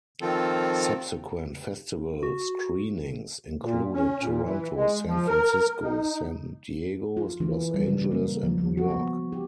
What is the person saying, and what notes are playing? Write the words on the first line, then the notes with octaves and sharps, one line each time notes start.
Subsequent festival screenings included Toronto, San Francisco, San Diego, Los Angeles and New York.
D#3 F3 C4 F4 A4
F#4
A#2
C#4
A#2
E3
G#3
F3
A#4
D#4
F4
E3
G3
C#3
A#3
F3
F3
F#4
B3
G4